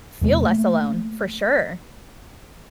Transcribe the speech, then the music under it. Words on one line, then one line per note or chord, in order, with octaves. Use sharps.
feel less alone, for sure.
E2 C3 G#3 B3
A3 A#3